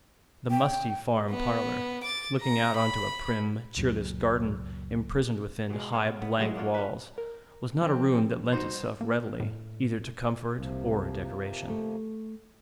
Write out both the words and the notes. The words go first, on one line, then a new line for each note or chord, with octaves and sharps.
The musty farm parlour, looking out on to a prim, cheerless garden imprisoned within high, blank walls, was not a room that lent itself readily either to comfort or decoration.
G5
B3
D6 A6
A#5
B5
C#2 F#2 A#2 F#3
B2 G#3
B3 C#5 F5
B3
E3 F#3 G#3 C#4
A#3 D4 F4 C#5
C#4 B4
A#4
F3 C4
G3 D#4 F#4 C5
A#3
A2
C2 C3 F3 A#3
A3